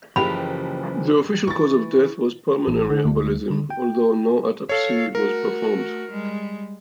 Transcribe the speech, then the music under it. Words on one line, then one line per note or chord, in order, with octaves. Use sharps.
The official cause of death was pulmonary embolism, although no autopsy was performed.
F#1 C#3 E3 F3 G4 B5
E3 C#6 A6
A1
D3
D2
D3
G5
A4 C#5 F5
A3 F#4 A#4
G3 G#3